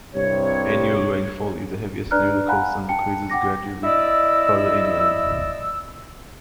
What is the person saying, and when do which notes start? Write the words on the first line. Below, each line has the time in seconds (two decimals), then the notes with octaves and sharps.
Annual rainfall is heaviest near the coast and decreases gradually further inland.
0.14 C2 G2 C3 C#5
2.11 D4 B4 D5 A#5 F6 F#6
2.48 F5 F#5 G#5 A#5 B5 F#6
2.89 G5 A5 C#7
3.30 F#5 G5 D6 A#6
3.84 E4 D5 D#5 E6